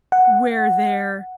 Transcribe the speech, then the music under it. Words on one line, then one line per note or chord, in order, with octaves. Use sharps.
where their
F#5